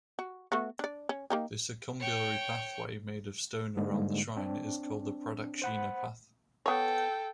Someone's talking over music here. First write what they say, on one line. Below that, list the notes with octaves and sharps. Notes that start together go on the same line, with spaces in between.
The circumbulary pathway made of stone around the shrine is called the Pradakshina path.
F#4
A3 B3 F#4
D4 D5
C#4
A#3 D#4 G4
C#5 G5
G#2 D3 G3 G#3 A#3
C4 D4
C5 F#5 B5
B3 A4 C#5 G5